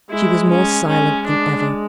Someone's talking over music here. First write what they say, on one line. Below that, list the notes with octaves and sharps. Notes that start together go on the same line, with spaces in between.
She was more silent than ever.
G#3 E4
C#4
G#3 C#4
D4